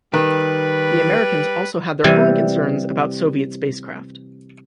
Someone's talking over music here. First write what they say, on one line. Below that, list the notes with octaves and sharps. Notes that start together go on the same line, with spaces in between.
The Americans also had their own concerns about Soviet spacecraft.
D#3 G3 B4
C3 E3 G3